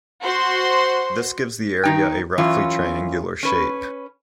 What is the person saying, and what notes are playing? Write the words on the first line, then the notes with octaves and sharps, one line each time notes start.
This gives the area a roughly triangular shape.
F#4 C5 C6
D#3 D#4 G5
F#2 E3 C#4 F4
C#4 B4